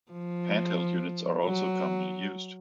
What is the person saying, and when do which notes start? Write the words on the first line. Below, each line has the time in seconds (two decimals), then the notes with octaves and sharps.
Hand-held units are also commonly used.
0.12 F3
1.44 F#3